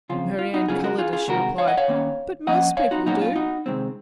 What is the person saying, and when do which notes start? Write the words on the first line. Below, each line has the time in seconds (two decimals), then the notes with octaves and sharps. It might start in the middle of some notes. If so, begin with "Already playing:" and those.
Marianne coloured as she replied, "But most people do."
0.09 C#3 F3 C4 F4
0.39 F4
0.54 D#4 F#4
0.68 C#3 F#3 C#4 F4 G#4
0.84 F#4 A#4
0.98 F4 G#4
1.13 F4 G#4
1.28 C3 D#3 G#3 F#4 A#4
1.58 C#5 F5
1.67 D#5 F#5
1.77 C#5 F5
1.88 D#3 A#3 C#4
2.47 F3 A#3 C#4 D#5 F#5
2.77 C#5 F5
2.91 D#4 F#4
3.06 A#2 F#3 A#3 C#4 D#4 F#4
3.22 F4
3.36 D#4 F#4
3.66 C3 D#3 G#3 C4